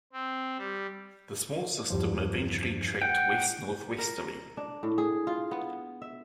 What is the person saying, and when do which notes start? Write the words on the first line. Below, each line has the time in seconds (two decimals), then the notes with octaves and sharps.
The small system eventually trekked west-northwesterly.
0.13 C4
0.58 G3
1.90 E2 G2 F3
3.02 F#5 G5
3.98 A#4
4.57 D4
4.83 A2
4.98 G#4
5.27 F4
5.51 B3
6.02 E5